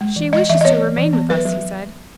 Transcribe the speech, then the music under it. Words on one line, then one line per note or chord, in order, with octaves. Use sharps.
"She wishes to remain with us," he said.
G#3
E3
G#3 D#5
E3 E5
D#5
B3 C#5
E3
E3
B3
F#3 B4
F#3
F#3